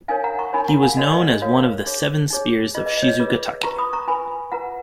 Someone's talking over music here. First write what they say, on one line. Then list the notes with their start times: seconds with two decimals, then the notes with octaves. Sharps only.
He was known as one of the "Seven Spears of Shizugatake".
0.08 D#4 A#4 C#5 F5 G#5
0.24 F#5 A#5
0.39 A#5 C#6
0.53 D#4 A#4 C#5 G#5 B5
0.68 F#5 A#5
0.83 F5 G#5
0.97 F#4 A#4 C#5 D#5 F#5
1.12 D#5
1.27 D#5
1.42 F#4 A#4 C#5 F5
1.86 D#4 G#4 C#5
2.30 D#4 G#4 C#5
2.75 F4 G#4 B4 D#5
2.86 D#5
2.97 D#5
3.02 C#5
3.08 D#5
3.19 F4 G#4 B4
3.63 F4 B4 A#5 C#6
3.78 B5 D#6
3.93 A#5 C#6
4.08 F4 B4 G#5 B5
4.52 F4 B4 F#5 A#5